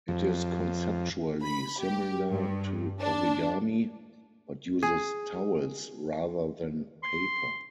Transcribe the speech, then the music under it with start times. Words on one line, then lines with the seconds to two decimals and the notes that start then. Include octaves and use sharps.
It is conceptually similar to origami, but uses towels rather than paper.
0.08 F2
1.43 B5
1.80 G4
2.31 G2
3.00 D4
4.83 G#4
7.03 C6